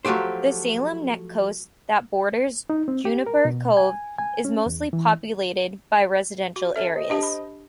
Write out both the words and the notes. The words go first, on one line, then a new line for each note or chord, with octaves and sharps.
The Salem Neck coast that borders Juniper Cove is mostly populated, by residential areas.
F3 F#3 A3 G4 C5
D#4
C4
G4
A#4
B2
G#5
G#5
C#4
E2
E3
F#4
C#4 A4 E5 A5
C5 D#5
D4 G4 A5
B5